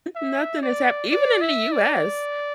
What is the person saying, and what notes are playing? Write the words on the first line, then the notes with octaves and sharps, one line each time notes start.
Nothing has happ even in the US,
E5
D5
D5
E5
D5